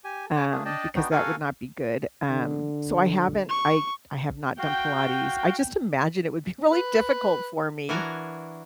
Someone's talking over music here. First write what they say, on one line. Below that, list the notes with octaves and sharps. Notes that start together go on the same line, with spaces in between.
um, because that would not be good, um, so, I haven't I I have not done Pilates I just imagine it would be really difficult for me.
G4 G#5
C#5 G#5 A5 D6
A3 A#3 D4 G#4
D4 D5 D#5 G5 A5
B3 D4 D#4 F#4 G5
F#4 A4 A#4 F5 F#5 G#5
D3
C#6
F#4 F5 G5
B4
E3 D4 F#4 A#4 G#5 A#5